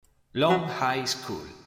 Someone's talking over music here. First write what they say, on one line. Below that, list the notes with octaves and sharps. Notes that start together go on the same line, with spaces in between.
Long High School.
F#3